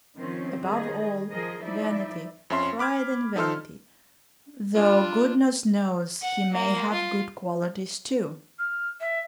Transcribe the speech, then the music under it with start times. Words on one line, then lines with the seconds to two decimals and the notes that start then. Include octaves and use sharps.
Above all, vanity, pride and vanity, though goodness knows he may have good qualities too....
0.15 D#3 F3 C4 C#4
0.61 D#3 G3 G#4 D#5
1.30 F3 G#4 A#4 D#5
1.61 F3 D#4 E4 D5 E5
2.50 F2 C#4 E5 C6
2.79 B5 D6 F6 G#6
3.36 F3 D#4 A4 C6 F6
4.74 D4 F4
6.22 F#5
6.53 A#3
6.92 F4
8.58 F6
9.00 E5